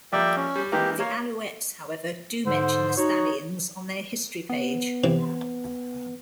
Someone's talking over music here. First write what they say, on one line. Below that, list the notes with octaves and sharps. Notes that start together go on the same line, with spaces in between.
The Alouettes, however, do mention the Stallions on their history page.
F2 G3 A#3 D5 E5 G5
C#4
G3
E3 G#3 A#3 G4
A#3 C#5 F5
G#2 D3 C5
D#4 F#4 C#5
B3
C3 E3